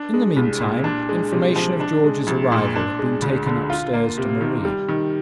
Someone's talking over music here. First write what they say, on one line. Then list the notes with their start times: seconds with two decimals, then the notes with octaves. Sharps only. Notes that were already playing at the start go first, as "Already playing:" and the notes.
In the mean time, information of George's arrival had been taken upstairs to Marie.
Already playing: D4
0.14 G#3
0.36 C2
0.61 A#2
0.84 D4
1.09 G#3
1.32 C3
1.56 F3
1.80 D4
2.04 G#3
2.27 A#1
2.52 A#2
2.75 D4
2.99 G#3
3.22 D2
3.46 D3
3.70 F4
3.94 A#3
4.18 C3
4.41 D#3
4.65 G3
4.89 D#3